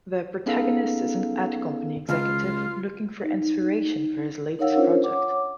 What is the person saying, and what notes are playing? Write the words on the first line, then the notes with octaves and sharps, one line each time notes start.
The protagonist is an ad company executive looking for inspiration for his latest project.
B3 C#4 D#4 G#4 A4 F5
C#2 F4 F5
D#4
D#4 A#4 C#5 F5 F#5 E6
C#4 D4 F4 A#4 C5 C#5
C#5 F#5 D6